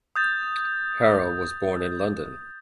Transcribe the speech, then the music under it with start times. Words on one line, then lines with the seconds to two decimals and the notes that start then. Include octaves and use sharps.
Harrow was born in London.
0.16 D#6 G6 A6